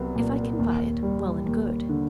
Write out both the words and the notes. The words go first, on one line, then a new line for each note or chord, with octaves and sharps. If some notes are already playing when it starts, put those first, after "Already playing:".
If I can buy it, well and good.
Already playing: C2 F#3 B3
A#2
D#2
G3
D#2
D3